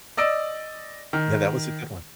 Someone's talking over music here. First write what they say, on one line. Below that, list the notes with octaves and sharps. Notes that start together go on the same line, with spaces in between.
Yeah, that was a good one.
D5 D#5 E6 D7
D#3